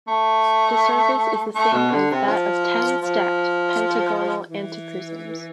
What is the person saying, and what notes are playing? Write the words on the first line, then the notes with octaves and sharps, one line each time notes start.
The surface is the same as that of ten stacked pentagonal antiprisms.
A3
A3
B2
D3
C3
F3
F3
E3